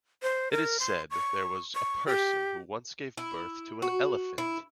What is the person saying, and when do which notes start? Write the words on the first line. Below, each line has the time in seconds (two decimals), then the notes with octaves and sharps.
It is said there was a person who once gave birth to an elephant.
0.23 C5
0.52 A#4
0.80 C6
1.11 C#6
1.75 C#6
2.07 G4
3.17 E4
3.82 F#4
4.38 E4